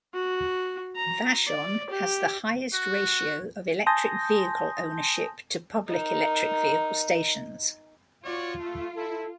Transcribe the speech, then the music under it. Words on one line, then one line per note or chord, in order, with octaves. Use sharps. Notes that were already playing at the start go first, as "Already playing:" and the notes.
Vashon has the highest ratio of electric vehicle ownership to public electric vehicle stations.
F#4
A#5
D5
G4
F#4
G#5 A5 C6 D#6 G6 A#6
D#4 A#4
F4 F#4 C#5 D5
A3
E4 A4